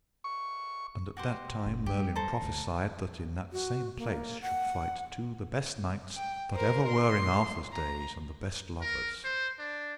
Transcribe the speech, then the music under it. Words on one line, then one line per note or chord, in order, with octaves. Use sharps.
And at that time Merlin prophesied that in that same place should fight two the best knights that ever were in Arthur's days, and the best lovers.
C#6
F#4 G4 C5
F#1
G3 G4
A4 C5 A#5
D2
F#4
A#3
F#5
G5
A#4 C5
C6
A#5
A#4
C5
D4